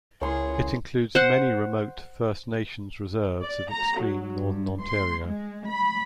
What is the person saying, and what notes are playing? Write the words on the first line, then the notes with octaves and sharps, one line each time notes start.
It includes many remote First Nations reserves of extreme Northern Ontario.
C#2 E4 G#4 A#4 C#5 C6
C5 F#5
D5
A#5
F#3
G2
C6
G#3
B5